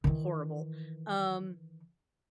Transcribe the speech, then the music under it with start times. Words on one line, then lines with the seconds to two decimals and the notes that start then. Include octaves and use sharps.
horrible. Um
0.04 D#3 E3